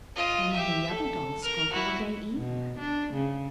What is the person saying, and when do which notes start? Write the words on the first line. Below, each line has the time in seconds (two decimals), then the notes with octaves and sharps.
None of the other dolls spoke all day, either.
0.16 F4 D#5
0.52 G4 E5
0.89 A4
1.43 A#4 F6
1.72 E4 F#4
2.37 B2
2.79 D4
3.14 C#3